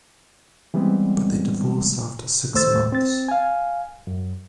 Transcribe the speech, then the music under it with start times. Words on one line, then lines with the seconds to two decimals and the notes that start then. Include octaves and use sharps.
But they divorced after six months.
0.74 E3 G3 G#3 B3 C4
2.54 D#2 A3 C5 E6 A6
2.92 C4 A6
3.28 F5 G#5
4.07 F#2